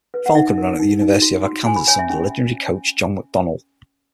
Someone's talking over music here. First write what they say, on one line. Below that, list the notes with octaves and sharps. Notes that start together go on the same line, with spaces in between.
Falcon ran at the University of Arkansas under legendary coach John McDonnell.
B4
F#5
D#4 E5
A#4
D#4
D#4
F#4
F#4
F#4 G#5
B5
C#5 G#5
E5
C#4